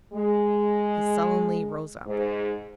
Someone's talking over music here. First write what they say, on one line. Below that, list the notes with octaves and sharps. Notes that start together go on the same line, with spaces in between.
He sullenly rose up.
G#3
G#2